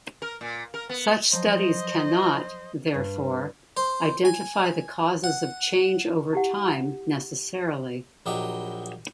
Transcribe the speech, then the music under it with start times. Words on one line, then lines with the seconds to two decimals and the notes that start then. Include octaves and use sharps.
Such studies cannot, therefore, identify the causes of change over time necessarily.
0.22 A#4
0.41 A#2
0.74 A#4
0.89 B3
1.33 F3 F#3 C5 D#5
2.94 G2
3.77 C5
4.25 G#5
5.24 F#5
6.33 E4 G4 F#5
8.26 A#1 F#3 G4 D#5